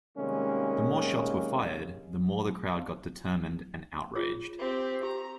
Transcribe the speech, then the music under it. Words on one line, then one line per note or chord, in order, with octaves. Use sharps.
The more shots were fired, the more the crowd got determined and outraged.
C3 D#3 G3 G#3 A#3 C#4
F4 G#4 C#5
C4 G4
G4 A#5